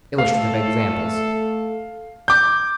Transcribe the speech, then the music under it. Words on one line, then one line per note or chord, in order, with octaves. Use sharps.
Illustrative examples.
A3 A4 F5
D6 G6